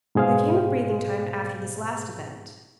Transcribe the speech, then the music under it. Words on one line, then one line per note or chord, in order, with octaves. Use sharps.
There came a breathing-time after this last event.
G#2 B2 G#4 C5 F5